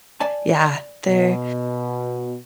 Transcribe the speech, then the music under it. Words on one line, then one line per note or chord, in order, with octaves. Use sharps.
yeah, they're
D5 G#5 A5
B2